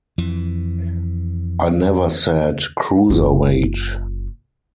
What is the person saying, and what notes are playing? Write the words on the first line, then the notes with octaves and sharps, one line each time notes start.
I never said cruiserweight.
F2 E3
F#1 F4